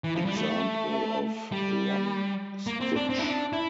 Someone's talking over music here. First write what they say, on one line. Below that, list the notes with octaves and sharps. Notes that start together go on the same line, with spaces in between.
Example of running stitch.
E3
F3
G3
A3
G3
A#3
C4
D4
C4
E4
D4
E4